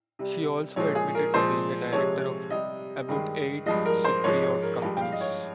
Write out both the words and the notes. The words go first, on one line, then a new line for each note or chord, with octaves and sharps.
She also admitted to being a director of "about eight Cypriot companies".
C3 G3
A#2 F3 G#3 C#5
G#4
A#4
A#2 F3 G#3 C5
C3 F3 G#3 C#5
C3 G3 D#5
G2 D#3 G#3
G2 F3 G#3 D#5
A#4
C5
G#2 F3 G#3 C#5
C#5
A#4
G2 F3 G#3 G4
G5
F5
D#5
C#5